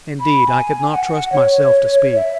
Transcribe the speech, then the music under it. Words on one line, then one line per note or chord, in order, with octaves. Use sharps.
Indeed, I could not trust myself to speak.
B5
G#5
G#5
F#5
C#5
E5